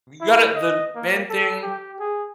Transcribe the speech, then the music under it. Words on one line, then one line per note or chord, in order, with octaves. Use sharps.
You gotta the main thing
E4
D#5
A#3
A4
G4
G#4